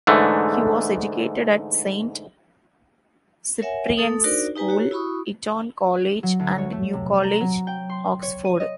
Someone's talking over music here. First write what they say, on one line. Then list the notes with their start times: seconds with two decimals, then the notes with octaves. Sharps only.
He was educated at Saint Cyprian's School, Eton College and New College, Oxford.
0.07 G#2 D3 E3 A3
3.61 A#4 C#5 E5 F#5 G#5
3.97 A3 A4 D#6
4.24 D4 D#4 F#4 A#4 C5 D5
4.55 D#4 G4 B4 G#5 A#5
4.69 F#4 G4 C#5
4.91 E4 F#4 B5 C#6 D#6
6.23 F#3
6.39 D2
6.58 C#5
6.72 A3
6.93 C3
7.23 A#5
7.40 F#3
7.67 G5
7.89 C6
8.22 C#5
8.45 D#7
8.60 D#5